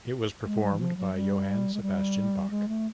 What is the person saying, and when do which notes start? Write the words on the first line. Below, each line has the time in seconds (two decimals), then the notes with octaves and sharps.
It was performed by Johann Sebastian Bach.
0.46 G#3
0.63 G3
0.73 E3
0.79 F3
0.97 F#3
1.14 G3
1.74 G#3
1.82 G3
2.50 G#3
2.68 A3